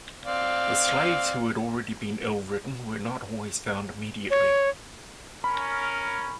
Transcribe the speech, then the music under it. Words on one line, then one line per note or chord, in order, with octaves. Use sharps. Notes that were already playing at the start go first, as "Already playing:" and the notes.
The slaves who had already been ill ridden were not always found immediately.
C4 D5 F5
C#5
C#4 A#4 B5